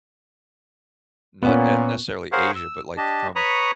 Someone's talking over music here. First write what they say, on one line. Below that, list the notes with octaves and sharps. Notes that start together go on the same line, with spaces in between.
not e necessarily Asia, but, like, from
A#2 B3 C#4
G#4 A#4 C5 C#5 F5 F#5
E6
D4 G4 D#5 A5
B4 C#5 A#5 B5 C#6 D#6